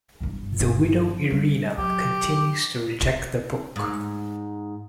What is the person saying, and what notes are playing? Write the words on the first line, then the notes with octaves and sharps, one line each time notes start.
The widow Irina continues to reject the book.
G1 G2
G3
F#3 G4
G#2